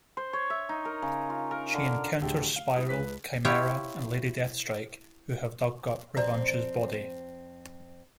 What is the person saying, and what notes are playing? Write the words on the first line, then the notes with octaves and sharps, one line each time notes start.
She encounters Spiral, Chimera and Lady Deathstrike who have dug up Revanche's body.
C5
C#5
E5
D#4
A#4
C#3
F4
A#4
D3
D1 D3 A3 G4 G#4
F5
G3 E4 D#6
C#2 B4 B6
E4 F4 G4 C#5
F2 C4 D5 A#5